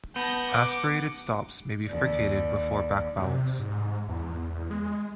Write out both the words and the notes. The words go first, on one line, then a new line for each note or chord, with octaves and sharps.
Aspirated stops may be fricated before back vowels.
B3 A5 G6 A#6
F#5 D6
D#2 D5
C3
G#2
E2
G#3